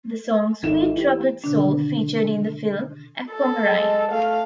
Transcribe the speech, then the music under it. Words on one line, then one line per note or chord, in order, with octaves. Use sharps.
The song "Sweet Troubled Soul" featured in the film "Aquamarine".
G#1 G#2 A4 E5 E7
E3 G4
B2 D3 D#3 D4
A4
G#3
A3 F5